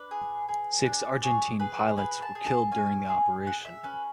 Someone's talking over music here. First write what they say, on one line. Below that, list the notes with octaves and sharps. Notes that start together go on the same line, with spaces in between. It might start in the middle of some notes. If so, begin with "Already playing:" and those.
Six Argentine pilots were killed during the operation.
Already playing: D4 B4
G#4
G#4
D4
G#4 C#5
G#4 B4
G#4 B4
A5
G#4
A5
C#4 G#5
G#4
G#4 F#5
E5
C#4 B4